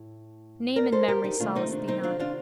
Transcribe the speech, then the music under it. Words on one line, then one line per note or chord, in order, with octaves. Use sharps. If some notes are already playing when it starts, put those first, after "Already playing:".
Name and memory solace thee not.
Already playing: A2
A#4 D5
A4 C5
G4 A#4
D#4 G4
C3 D#3 A3 D4 F4
C4 D#4
D4
C4 D#4
D4 F4
D4 F4